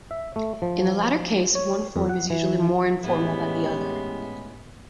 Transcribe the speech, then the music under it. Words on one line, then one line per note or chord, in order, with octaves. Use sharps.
In the latter case, one form is usually more informal than the other.
E5
A3
F3
C#5
F2
F#5
E3
A2 E3 G#3 B3 C#4 E4 G4